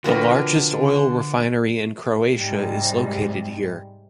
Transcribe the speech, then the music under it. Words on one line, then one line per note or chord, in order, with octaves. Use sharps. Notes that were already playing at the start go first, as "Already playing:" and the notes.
The largest oil refinery in Croatia is located here.
B2 D3 F3 C4 F#4 A#4 B4
G#2 C3 G3 G#3